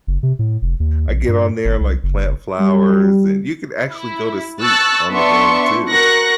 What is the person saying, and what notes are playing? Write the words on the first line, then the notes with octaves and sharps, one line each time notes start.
I get on there and, like, plant flowers, and you could actually go to sleep on the game too.
F#1
C3
A2
F1
D#2
A#1
G2
G1
C2
F#1
G3
E4
A5 C#6 E6 F#6 A6
B3 D4 E5 C6 C#6
F#4 A#4 C#6 F#6 A#6